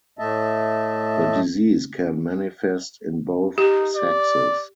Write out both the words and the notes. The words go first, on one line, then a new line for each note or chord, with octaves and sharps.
The disease can manifest in both sexes.
A2 A3 D#5 E5 A5
D#4 G4
D5